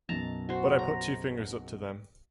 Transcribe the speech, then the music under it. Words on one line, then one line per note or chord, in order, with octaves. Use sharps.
But I put two fingers up to them.
B1 F#2 B2 A5 A#5
F#4 C5
A#5